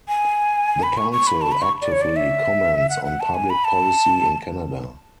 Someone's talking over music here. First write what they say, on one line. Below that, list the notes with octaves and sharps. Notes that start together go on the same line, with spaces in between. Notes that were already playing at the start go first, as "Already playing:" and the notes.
The council actively comments on public policy in Canada.
G#5
B5
C#6
C#6
B5
A5
B5
C#6
D5
C#5
D5
E5
F#5
F#5
A5
G#5
B5
A5